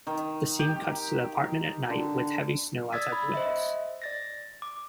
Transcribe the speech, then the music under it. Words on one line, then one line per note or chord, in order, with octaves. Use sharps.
The scene cuts to the apartment at night with heavy snow outside the windows.
D#3
G4
D3
D5 D#6 E6 G#6 A6 B6
B5
C5 D#5 E5
D5 A6 A#6
D6